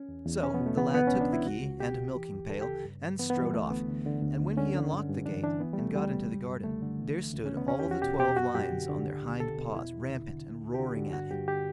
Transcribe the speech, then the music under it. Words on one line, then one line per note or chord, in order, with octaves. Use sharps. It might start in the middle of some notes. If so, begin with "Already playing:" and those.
So the lad took the key and a milking pail, and strode off; and when he unlocked the gate and got into the garden, there stood all the twelve lions on their hind-paws, rampant and roaring at him.
Already playing: C#4
E2
E2
B2 C#4
B3
B2
A3
E3 B3
C#2 B3
C#2 C#4
D4
C#3 E4
C#2 F#4
C#2
B2 G4
B2
E3
D2
D2 A4
G4
C#3
G2
G2
E3 B3
B3
E3
G3
D2 A3
D2 B3
D3
D3
D2
D2
D3 C#4
D3
G2
G2
E3 D4
E3 D4
E3 B3
G3
C#2 A3
C#2 G3
C#3
F#2
F#2
D3 A3
D3
E3
C#2
C#2
C#4
C#3
B3
E2 C#4
G4
E2
F#4
B2 G4
B2 G4
F#2 F#4
F#2 G4
D3
D3
C#2
C#2
B2 A4
B2
E2 E4
E2
D3
D3
D2
D2
G4
D3 F#4
D3
G2 F#4
G2 G4
D3 G4